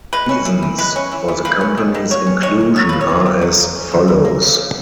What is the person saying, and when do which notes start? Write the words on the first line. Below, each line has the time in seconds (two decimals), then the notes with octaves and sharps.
Reasons for the company's inclusion are as follows.
0.13 G#3 B4
0.29 C#4
0.45 E3
0.63 E3
0.78 G#3 B4
0.96 C#4
1.12 E3
1.28 E3
1.45 A#3 B4
1.61 C#4
1.78 D#3
1.95 D#3
2.11 A#3 C#5
2.27 C#4
2.43 D#3 C#5
2.61 D#3
2.76 F#3 C#5
2.89 A#3 B4
3.01 C#5
3.09 C#4
3.26 C#3
3.42 F#3
3.58 A#3
3.75 C#4
3.92 C#3
4.08 E3
4.25 A#3
4.42 C#3
4.58 C#3